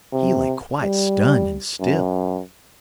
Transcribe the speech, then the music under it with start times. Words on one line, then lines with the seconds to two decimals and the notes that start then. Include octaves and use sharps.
He lay quite stunned and still.
0.13 C3
0.82 G3
1.80 F#2